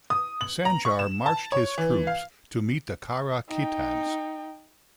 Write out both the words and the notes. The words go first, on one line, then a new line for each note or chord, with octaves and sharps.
Sanjar marched his troops to meet the Kara-Khitans.
D#6
F#7
A#5
C#6
E7
A5
C#5
E3
F5
D#4 G5